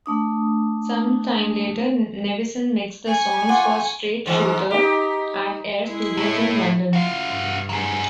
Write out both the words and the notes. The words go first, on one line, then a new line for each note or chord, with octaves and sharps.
Sometime later Nevison mixed the songs for "Straight Shooter" at Air Studios in London.
A3 D4 D#6
G#5 C#6
F4 F#5 D6
G#2 E3 G#3
D#4 G4
G#3 E4
A2 A3
F4 F#4 F5
G2
F#3 G#4